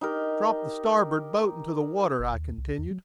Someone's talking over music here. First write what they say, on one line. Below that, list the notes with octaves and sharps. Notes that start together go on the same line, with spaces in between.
"Drop the starboard boat into the water," I continued.
D#4 G4 A#4
F#1
D#2
C2
E2
F#3